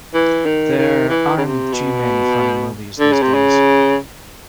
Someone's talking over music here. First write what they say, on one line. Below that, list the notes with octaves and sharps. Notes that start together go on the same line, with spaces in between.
There aren't too many funny movies these days.
E3
D#3
D#3
E3
C#3
C3
B2
D3
C#3
C3
C#3